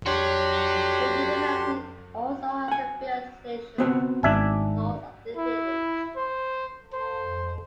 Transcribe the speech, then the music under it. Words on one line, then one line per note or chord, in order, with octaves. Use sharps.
The University also has a field station north of the village.
D4 F#4 G4 C#5 C6
F#5 G#5
B3 C4 F#4
G#1 G#2 D4 E5 G#5
E4
C5
C5